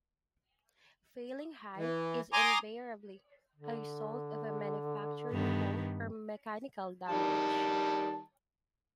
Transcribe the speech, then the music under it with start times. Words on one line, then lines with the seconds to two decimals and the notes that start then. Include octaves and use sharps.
Failing high is invariably a result of a manufacturing fault or mechanical damage.
1.77 E3
2.33 G#5 A#5 C6 D6 D#6
3.56 D3
5.31 G2 D#3 B3
7.09 D#3 G3 A5